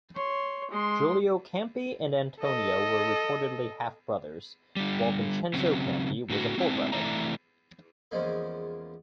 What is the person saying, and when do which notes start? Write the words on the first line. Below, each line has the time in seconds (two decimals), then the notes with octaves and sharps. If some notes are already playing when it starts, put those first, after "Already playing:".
Giulio Campi and Antonio were reportedly half-brothers, while Vincenzo Campi was a full brother.
0.15 C#5 C6
0.70 G#3 C6
2.41 A4 D#5
4.76 D3 G3
5.54 C#3 F#3 C4 C#4
6.30 A2 D3 F#4
6.58 G#3 B3 C4 D4 E4
6.92 C3 E3 A3 D5 E5 A#5
8.11 E2 C#3 F3 G#3 A#3